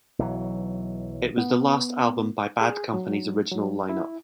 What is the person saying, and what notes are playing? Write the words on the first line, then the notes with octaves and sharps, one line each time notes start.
It was the last album by Bad Company's original line-up.
B1 E3 F#3
B3
G#4
F#3
F#3
E4